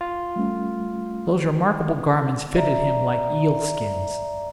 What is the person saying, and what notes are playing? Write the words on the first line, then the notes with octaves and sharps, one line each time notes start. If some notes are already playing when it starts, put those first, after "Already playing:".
Those remarkable garments fitted him like eel-skins.
F4
G3 A3 C#4
D5 E5 A#5